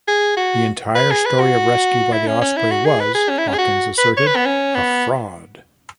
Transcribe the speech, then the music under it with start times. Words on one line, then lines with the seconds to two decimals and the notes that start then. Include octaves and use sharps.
The entire story of rescue by the "Osprey" was, Hawkins asserted, a fraud.
0.08 G#4
0.37 F#4
0.95 B4
1.11 G#4
1.25 B4
1.40 F#4
2.12 E4
2.27 C#4
2.41 C#4
2.57 E4
2.71 F#4
2.85 G#4
3.00 B4
3.14 G#4
3.29 C#4
3.38 E4
3.47 C#4
3.54 G#4
3.58 F#4
3.98 B4
4.17 C#5
4.27 B4
4.36 B3
4.46 C#4
4.75 B3